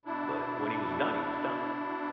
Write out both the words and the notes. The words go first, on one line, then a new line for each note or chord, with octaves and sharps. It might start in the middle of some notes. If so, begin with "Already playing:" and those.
but when he was done, he was done.
B2 D4 E4